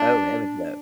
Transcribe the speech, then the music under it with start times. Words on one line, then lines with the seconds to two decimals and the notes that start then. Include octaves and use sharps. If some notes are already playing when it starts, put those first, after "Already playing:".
Oh, heavens no.
Already playing: D4